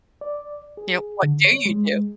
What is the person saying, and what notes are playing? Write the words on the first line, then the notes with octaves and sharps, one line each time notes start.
You know, what do you do?
D5
G#4
D3
C#5
G#3